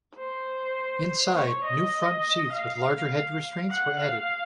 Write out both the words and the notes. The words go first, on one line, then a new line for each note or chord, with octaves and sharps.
Inside, new front seats with larger head restraints were added.
C5
C#5
D#5
F5
F#5
F5